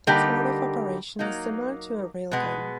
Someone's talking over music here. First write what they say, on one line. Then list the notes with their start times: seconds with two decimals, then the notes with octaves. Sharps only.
Its mode of operation is similar to a railgun.
0.07 D3 G3 A#3 D#4 G4
1.19 F#3 A#3 D#4
2.31 B2 G#3 B3